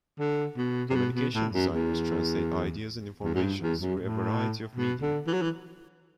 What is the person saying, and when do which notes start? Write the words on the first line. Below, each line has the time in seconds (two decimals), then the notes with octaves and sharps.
Communications designers translate ideas and information through a variety of media.
0.19 D3
0.57 B2
0.90 C3
0.95 B2
1.15 B2
1.34 A2
1.53 F#2
1.72 E2
3.24 E2
3.34 F#2
3.43 G2
3.61 E2
3.81 F#2
4.00 A2
4.75 B2
5.01 D3
5.27 E3
5.33 F#3
5.42 E3